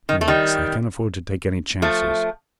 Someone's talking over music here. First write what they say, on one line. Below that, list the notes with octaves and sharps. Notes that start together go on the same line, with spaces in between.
Yes, I can't afford to take any chances.
D#3
A3
D#3 G3
F3 A3